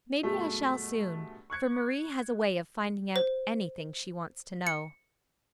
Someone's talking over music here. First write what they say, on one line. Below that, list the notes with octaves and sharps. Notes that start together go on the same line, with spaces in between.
Maybe I shall soon, for Marie has a way of finding out anything she wants to know.
G2 B2 F#3 G#3 A3
C#6 F#6 G#6 C#7
C5
C#7